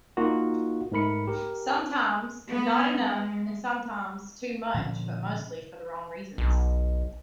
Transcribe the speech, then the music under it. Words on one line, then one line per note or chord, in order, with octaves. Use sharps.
Sometimes not enough and sometimes too much but mostly for the wrong reasons.
A#3 D#4 F4 F#4
G#2 A3 A#4 B5 C#7
G4 A#4
B3
G#3
A#2 D3 F3 C#4
B1